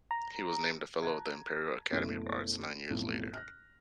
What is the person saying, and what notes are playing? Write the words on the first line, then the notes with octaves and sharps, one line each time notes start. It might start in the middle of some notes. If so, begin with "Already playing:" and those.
He was named a fellow of the Imperial Academy of Arts nine years later.
A#5
A5 A#5 F#6 G#6
F#1 B2 A3 E4 D7
B1 F2 A2
F6 F#6 A#6